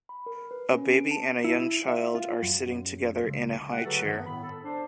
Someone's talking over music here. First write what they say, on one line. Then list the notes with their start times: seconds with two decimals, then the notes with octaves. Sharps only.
A baby and a young child are sitting together in a highchair.
0.09 B5
0.26 A#4
0.51 B4
0.72 C#4
0.95 D7
1.11 A5
1.44 E4
1.88 E5
2.15 F4
2.42 F#2
3.27 C#2
3.72 A3 G4 F#5
3.85 D3 F#3 F#4 G#4 A4 B4
4.02 G2 D#3 B3
4.26 A2 B3 E4 B5
4.42 A4
4.63 D4 C5